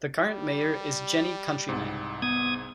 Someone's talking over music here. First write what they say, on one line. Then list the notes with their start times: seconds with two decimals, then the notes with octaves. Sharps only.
The current mayor is Jenny Countryman.
0.21 G3
1.69 C2 G#2
2.22 B3 D#6 G#6